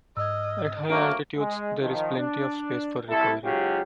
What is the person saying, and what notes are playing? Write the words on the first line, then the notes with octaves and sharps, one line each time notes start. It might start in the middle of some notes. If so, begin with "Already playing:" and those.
At high altitudes, there is plenty of space for recovery.
G#2 D#5 E6 F6 G#6
F#3 A3 A#3 D4 C#6 D7
G#3
D#3 F3
D4
C2 E4 A4
G#2 C#3 F#3 G#3 F4 G4